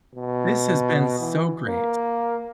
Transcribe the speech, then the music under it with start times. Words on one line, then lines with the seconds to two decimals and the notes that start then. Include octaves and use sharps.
This has been so great.
0.15 B2
1.19 E3
1.64 A#3